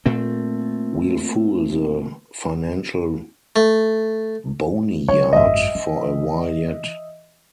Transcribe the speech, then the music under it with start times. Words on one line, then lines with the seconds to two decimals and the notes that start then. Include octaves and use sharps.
We'll fool the financial boneyard for a while yet.
0.06 A#2 A3 C4
3.56 A3
5.08 D3 F#3 C#5
5.33 G#1 F#2 D#5 E5
5.75 E3